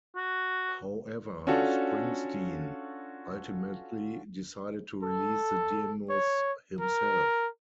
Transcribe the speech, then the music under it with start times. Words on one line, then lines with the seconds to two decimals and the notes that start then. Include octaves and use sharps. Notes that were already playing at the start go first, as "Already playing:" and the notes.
However, Springsteen ultimately decided to release the demos himself.
0.16 F#4
1.47 C#4 D4 F4 F#4 A4
5.04 A4
6.10 C#5
6.80 A#4